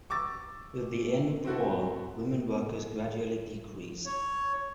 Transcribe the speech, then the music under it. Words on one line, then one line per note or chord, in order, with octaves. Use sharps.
With the end of the war women workers gradually decreased.
C#6 D6 E6 A6
C4 E4 F#4 A4
C#5